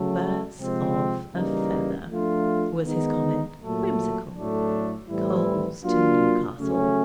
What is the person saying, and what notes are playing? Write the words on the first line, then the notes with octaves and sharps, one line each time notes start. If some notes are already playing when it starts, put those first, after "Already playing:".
"Birds of a feather," was his comment, whimsical; "coals to Newcastle!"
Already playing: C#3 F#3 A3
C3 F3 G#3 C4
C#3 E3 G3 A#3 D#4
F3 A3 D4 F4
D#3 G#3 B3 D#4
A#2 F#3 A3
A2 F#3 A3 D4
A2 E3 G3 C4 E4
F#3 A#3 D4 F4
C#3 F#3 A3 C#4